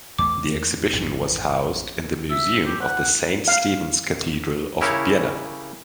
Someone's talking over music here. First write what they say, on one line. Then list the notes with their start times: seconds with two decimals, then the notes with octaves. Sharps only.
The exhibition was housed in the museum of the Saint Stephen's Cathedral of Vienna.
0.19 E2 A3 D6
0.93 A1 F2 G#2
2.30 E5
2.66 G4
2.81 F#5
3.48 F5
4.81 C#3 E4 G4 A#4 C#5